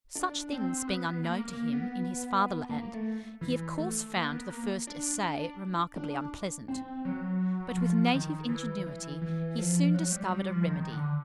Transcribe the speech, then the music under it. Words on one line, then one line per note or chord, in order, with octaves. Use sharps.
Such things being unknown to him in his fatherland, he of course found the first essay remarkably unpleasant, but with native ingenuity he soon discovered a remedy.
D4
C4
B3
A#3
A#3
B3
A#3
A3
E3
A3
A#3
B3
A#3
D4
D4
D4
C4
F#3
F#3
F3
D#3
E3
E3
E3
F3
F#3
G3
G3
F3
D#3
D3